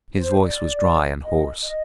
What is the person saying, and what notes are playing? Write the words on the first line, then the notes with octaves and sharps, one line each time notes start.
His voice was dry and hoarse.
C5
D5
D#5
D#5